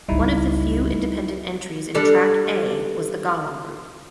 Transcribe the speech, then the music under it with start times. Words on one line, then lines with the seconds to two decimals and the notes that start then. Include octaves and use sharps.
One of the few independent entries in Track A was the Golem Group.
0.09 G1 C#2 G3 D#4 E4
1.95 G3 D4 A4